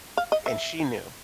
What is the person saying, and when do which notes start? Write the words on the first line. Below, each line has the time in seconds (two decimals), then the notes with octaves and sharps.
and she knew.
0.17 F5
0.32 D#5
0.46 E5